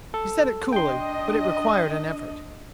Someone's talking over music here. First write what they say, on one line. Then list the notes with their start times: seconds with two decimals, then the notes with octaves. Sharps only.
He said it coolly but it required an effort.
0.14 A4
0.73 D4 D#5 G5 C6